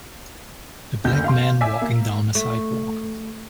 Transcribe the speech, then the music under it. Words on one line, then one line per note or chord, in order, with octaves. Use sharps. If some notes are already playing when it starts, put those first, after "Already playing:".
A black man walking down a sidewalk.
F#1 D2 G6
F5 C6
D5 E5 G#5 D6 E6 B6
A#3
A3